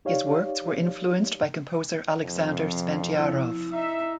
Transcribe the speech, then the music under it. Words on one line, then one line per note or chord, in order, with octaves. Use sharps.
His works were influenced by composer Alexander Spendiarov.
D#4 G4 C#5 D5 F5
F2 C3 F3
E4
D#4 E5